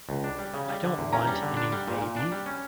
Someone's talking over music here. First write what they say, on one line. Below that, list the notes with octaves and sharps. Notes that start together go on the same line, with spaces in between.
I don't want any maybe.
C#2
D4
G3
C#3
G3
D3
E2
C#4 A#5
G3
D3
D4
G3
A#2
A#2
D4
G3
C#4